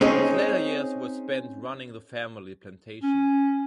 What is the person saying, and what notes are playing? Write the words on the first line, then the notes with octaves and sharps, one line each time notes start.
His later years were spent running the family plantation.
C4 C#4 D#4 G#4
C#4